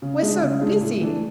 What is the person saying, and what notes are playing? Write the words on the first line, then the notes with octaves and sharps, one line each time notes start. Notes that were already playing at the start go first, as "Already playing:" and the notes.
"We're so busy."
C#3
G#3 D4 G#4
C#3
G#3 D4 G#4
A2
E3 A3 D4